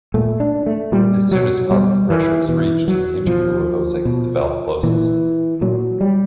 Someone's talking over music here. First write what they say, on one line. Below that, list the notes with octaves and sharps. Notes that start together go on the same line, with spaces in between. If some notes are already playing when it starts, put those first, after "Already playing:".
As soon as positive pressure is reached in the intercooler hosing, the valve closes.
A#2 A3
D4
A3
A#2 G3
F#3
B2 G3
E3
B2 E3
F#3
B2 F3
B2
A#2 E3
A#2 F#3
G3